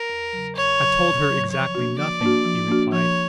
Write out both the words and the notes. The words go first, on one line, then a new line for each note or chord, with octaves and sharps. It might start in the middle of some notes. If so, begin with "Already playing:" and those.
"I've told her exactly nothing," he replied.
Already playing: A#4
E2
C#3 F#3
E2 C#5
C#3 F#3
E2
C#3 F#3
F3 C#5
A#3 D4 F#4
F3 D5
A#3 D4 F#4
F3
A#3 D4 F#4
F3 C#5